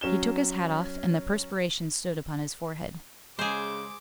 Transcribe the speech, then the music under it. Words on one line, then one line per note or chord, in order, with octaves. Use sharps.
He took his hat off, and the perspiration stood upon his forehead.
F#3 C#4 E7 G7
C#3 G#3 G#4 C5 D6